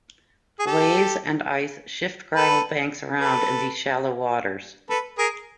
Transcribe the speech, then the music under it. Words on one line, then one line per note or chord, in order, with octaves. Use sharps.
Waves and ice shift gravel banks around in these shallow waters.
G#4
G4 A4
A4 B4
A4 B4
A4 B4
G#4 A#4